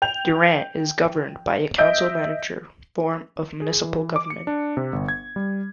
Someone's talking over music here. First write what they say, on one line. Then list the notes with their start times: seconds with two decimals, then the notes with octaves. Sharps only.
Durant is governed by a council-manager form of municipal government.
0.02 G5 G6 F7
1.78 D#5 E5 E6 G6 A#6 D7
3.62 G#4
3.84 E3
4.16 D6
4.30 C#7
4.47 D4
4.77 C3
4.93 G1
5.08 G#6
5.36 G3